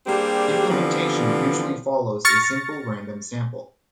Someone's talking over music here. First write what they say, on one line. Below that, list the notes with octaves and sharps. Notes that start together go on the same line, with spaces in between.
Implementation usually follows a simple random sample.
G3 A#3 C4 D4 G4 G#4
D3 E3 F3 G3 B3 C4
C#6 F6 A6 A#6 C#7